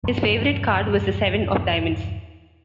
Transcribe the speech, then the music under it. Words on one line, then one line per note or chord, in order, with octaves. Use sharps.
His favourite card was the seven of diamonds.
E1 G2 F3